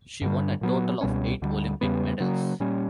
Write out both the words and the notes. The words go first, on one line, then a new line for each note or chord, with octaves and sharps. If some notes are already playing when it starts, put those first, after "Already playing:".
She won a total of eight Olympic medals.
G2 D3 G3
A#2 F#3 B3
C#2 B2 G3 C#4
D2 D3 G3
E2 C#3 G3 B3
C#3 F#3 A#3
A#2 G3 C#4